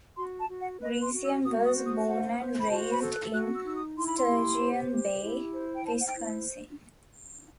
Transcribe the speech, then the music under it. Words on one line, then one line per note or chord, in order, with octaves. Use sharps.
Greisen was born and raised in Sturgeon Bay, Wisconsin.
F#4 C6
A5
F#4
F#5
B4 D#5
C6
F#4
E6
F#4 D#6
D#6
C5
D#6
C5 F#5
C5
B5
F#4 A5
B5
A4
F#6
F#4 F#6
E6
D#4 E6
D#6
E4 C6
B5
C6
G4
C5
G4
E4
C5
G5
C5 A5
F#5
G5
E4